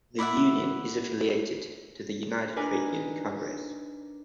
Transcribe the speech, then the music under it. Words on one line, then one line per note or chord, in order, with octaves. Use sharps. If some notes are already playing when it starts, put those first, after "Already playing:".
The union is affiliated to the United Trade Union Congress.
E4 D5 E5 F#5
D4 D#4 A#4 B4 G#5